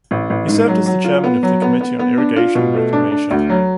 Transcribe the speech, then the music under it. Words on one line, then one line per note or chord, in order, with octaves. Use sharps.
He served as chairman of the Committee on Irrigation and Reclamation.
A1
A1
G#2
F#3
F#3
F4
B3
F#3
B3
B3
B3
D4
F4
B2
A3
D4
D4
D2
F#3